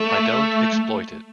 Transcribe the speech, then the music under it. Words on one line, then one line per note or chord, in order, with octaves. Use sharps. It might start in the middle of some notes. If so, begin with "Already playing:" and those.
I don't exploit it.
Already playing: A3